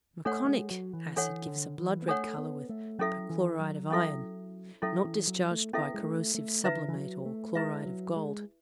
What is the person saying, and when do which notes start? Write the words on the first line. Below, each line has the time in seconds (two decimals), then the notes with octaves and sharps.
Meconic acid gives a blood-red colour with perchloride of iron, not discharged by corrosive sublimate or chloride of gold.
0.25 A3 D4 A4 C#5 F#5
0.45 A3
0.49 G#3
0.71 F#3
0.93 E3
1.16 E3 D4 A4 C#5 F#5
1.46 D3
1.78 E3
2.02 B3
2.08 A3 D4 A4 C#5 F#5
2.38 B3
2.69 A3
2.99 F#3 C#4 E4 A4 E5
3.30 E3
3.60 F#3
3.90 C#4 E4 A4 E5
4.82 F#3 C#4 E4 A4 E5
5.05 E3
5.27 F#3
5.51 A3
5.73 B3 C#4 E4 A4 E5
5.94 G#3
6.03 A3
6.35 A3
6.64 D3 E4 B4 E5
6.88 E3
6.95 F#3
7.25 A3
7.55 G#3 E4 B4 E5
7.86 F#3
8.16 G#3